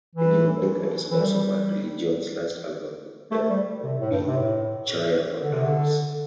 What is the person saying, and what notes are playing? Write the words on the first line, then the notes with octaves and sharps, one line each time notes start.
"The New America" is also Bad Religion's last album with Bobby Schayer on drums.
E3
E3
G3
A3
G3
C3
A2
G2
C3
A2
D3
C3
D3